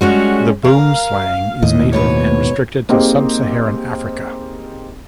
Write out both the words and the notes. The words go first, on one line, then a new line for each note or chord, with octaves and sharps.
The boomslang is native and restricted to Sub-Saharan Africa.
G3 G#3 C#4 F#4
A#4 F5
D#2 A2 D#5
G#2 B2 B4 C#5
A#3 C4 D#4 G4 G#4 C5